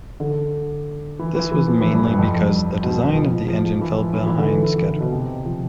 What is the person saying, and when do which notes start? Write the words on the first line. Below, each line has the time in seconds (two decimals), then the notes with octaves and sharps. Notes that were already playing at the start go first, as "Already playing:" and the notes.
This was mainly because the design of the engine fell behind schedule.
0.20 D3
1.19 E3
1.35 E3
1.52 E3
1.68 F3
1.81 E3
1.93 G2
2.05 G2
2.18 F2
2.42 G2
2.83 B2
3.16 F3
3.32 F3
3.48 F3
3.65 F3
3.81 E3
3.98 F3
4.14 E3
4.27 E3
4.38 D3
4.51 E3
4.63 E3
4.76 E3
4.88 D3
5.00 B2
5.12 C3
5.45 F3